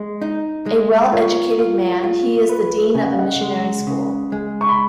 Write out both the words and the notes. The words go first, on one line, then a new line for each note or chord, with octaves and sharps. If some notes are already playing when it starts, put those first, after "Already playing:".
A well-educated man, he is the dean of the missionary school.
Already playing: G#3
D#4
G#3
F4 A#4 C#5
F4
F4
B4
C#3 G#5
F#5
F5
D#5 F#5
G#3
C#3
G#3
C#6
B5